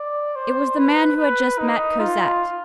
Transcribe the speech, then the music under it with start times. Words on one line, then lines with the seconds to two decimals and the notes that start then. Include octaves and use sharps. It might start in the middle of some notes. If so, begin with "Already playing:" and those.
It was the man who had just met Cosette.
Already playing: D5
0.35 C5
0.77 B4
1.17 B4
1.59 D#4
2.00 F4